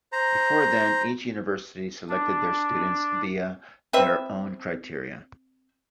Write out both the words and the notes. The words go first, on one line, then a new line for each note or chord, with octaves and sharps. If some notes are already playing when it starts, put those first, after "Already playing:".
Before then each university selected their students via their own criteria.
C5 A#5
D4
C4 B4 E5